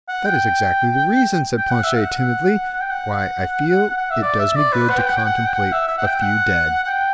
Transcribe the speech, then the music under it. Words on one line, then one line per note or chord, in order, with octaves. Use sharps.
"That is exactly the reason," said Planchet, timidly, "why I feel it does me good to contemplate a few dead."
F#5
G5
G5
F#5
E5
F#5
G5
F#5
F#5
E5
D5
E5
D5
B4
F#5
G5
F#5
G5
F#5
G5
F#5
E5
E5
F#5
G5
F#5
F#5
G5